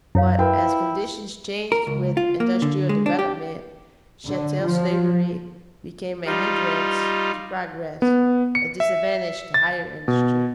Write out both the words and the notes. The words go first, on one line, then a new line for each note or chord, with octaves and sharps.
But as conditions changed with industrial development, chattel slavery became a hindrance to progress, a disadvantage to higher industry.
F#2 E4 C#5 F5
E4 F#4 A#4 B4 G5
A#4
C#2
F4
A#3
D3
G#3
D4
G4
D3
F3
G3 D#4 F4
B3
C#7
E5
A6
B2